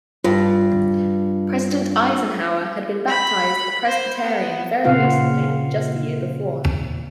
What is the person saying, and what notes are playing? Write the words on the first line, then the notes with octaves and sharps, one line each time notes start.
President Eisenhower had been baptized a Presbyterian very recently, just a year before.
G2 F4
B5
C5
B3
A#2 C#3 C4 F4 F5 F#5